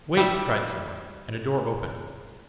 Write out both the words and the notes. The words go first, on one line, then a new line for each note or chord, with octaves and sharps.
"Wait," cried someone, and a door opened.
G3 E5